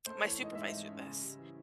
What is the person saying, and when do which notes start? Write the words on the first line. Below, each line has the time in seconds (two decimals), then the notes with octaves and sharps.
my supervisor this.
0.06 A3 C5
0.19 C#5
0.23 E3
0.39 G#2 D#5
0.55 G#2 E5
0.67 E3 D#5
0.88 C#4
1.05 C#3
1.21 G3
1.38 E3